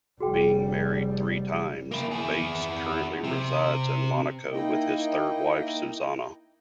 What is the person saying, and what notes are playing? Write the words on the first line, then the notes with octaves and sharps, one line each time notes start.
Being married three times, Bates currently resides in Monaco with his third wife, Suzannah.
F1 G3 F#4 G#4 G5
A#3 E4
E4 G#4
C3
A#3 D#4 E4 D#5 G5